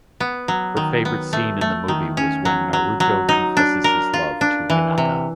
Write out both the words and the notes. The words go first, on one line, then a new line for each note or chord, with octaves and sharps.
Her favorite scene in the movie was when Naruto confesses his love to Hinata.
B3
F#3
D#3
B3
A3
A3
D#3
C#4
F#3
F#3
F#3
D#4
D4
A#4
F4
D4
E3
C3